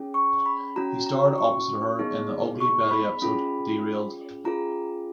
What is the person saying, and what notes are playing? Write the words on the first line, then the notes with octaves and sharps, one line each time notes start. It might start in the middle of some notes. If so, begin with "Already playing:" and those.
He starred opposite her in the "Ugly Betty" episode "Derailed".
Already playing: C#4 G#4
C#6
B5
C#4 F#4 A#5
A#5
C#6
B3 D#4 G#4
C#6
B5
C#4 F4 G#4 B5
C#4 F4 G#4 A#5